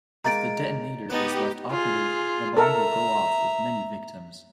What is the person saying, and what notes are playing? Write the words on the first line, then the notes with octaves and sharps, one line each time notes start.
If the detonator is left operative, the bomb will go off with many victims.
G#3 A#3 D#4 A#5 A6 D7
B3 D#4 G4 B4 A5
F4 G#4
A4 A#4 E5 A#5